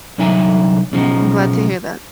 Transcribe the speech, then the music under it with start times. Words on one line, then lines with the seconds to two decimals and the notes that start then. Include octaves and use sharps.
I'm glad to hear that.
0.18 C2 D3 F#3 D#4 E5 G#5
0.92 B1 C#3 F3 D#4